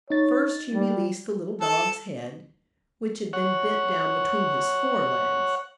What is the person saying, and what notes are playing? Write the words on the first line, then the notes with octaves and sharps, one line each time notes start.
First he released the little dog's head, which had been bent down between his fore legs.
D#4 C#5 A6
G3
A4
C#5 F#5